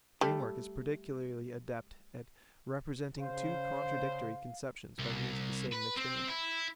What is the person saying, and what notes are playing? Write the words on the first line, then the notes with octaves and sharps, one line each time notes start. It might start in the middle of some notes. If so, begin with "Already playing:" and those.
The dream work is peculiarly adept at representing two contradictory conceptions by means of the same mixed image.
G3 A3
C#3 C5 F5
C2
B4
C4
E4